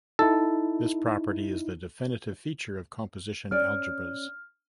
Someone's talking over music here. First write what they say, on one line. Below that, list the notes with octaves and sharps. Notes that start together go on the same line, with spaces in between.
This property is the definitive feature of composition algebras.
D#4 E4 A4
C#4 D5 F6